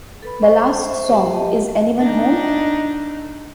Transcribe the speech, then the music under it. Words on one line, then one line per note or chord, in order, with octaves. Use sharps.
The last song, Is Anyone Home?
A4 B4 B5
C5 C#6
C5 E5 C#6
A#3 G4 C5 E5 F#5
G4 D#5 A5
D4 D#4